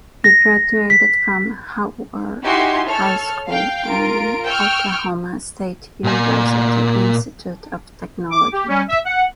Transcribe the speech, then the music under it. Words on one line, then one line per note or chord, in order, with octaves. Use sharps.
He graduated from Haworth High School and Oklahoma State University Institute of Technology.
A#6
B6
D#4 E4 F#4 G4 G#5 C6
A4 C#5 F6
F5 G5
F4 A#4 D7
G5 C#6 E6 F6
A#2 G#5
D6
G4
G3 C#4
E5
F#5